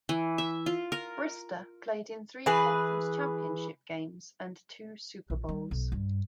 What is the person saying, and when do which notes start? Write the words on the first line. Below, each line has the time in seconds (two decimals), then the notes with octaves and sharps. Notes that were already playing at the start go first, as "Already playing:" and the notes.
Brister played in three conference championship games and two Super Bowls.
0.09 E3
0.38 E5
0.66 F4
0.92 A#4
2.46 E3 G#4 B4
5.30 A#1
5.49 G3
5.71 B1
5.92 G2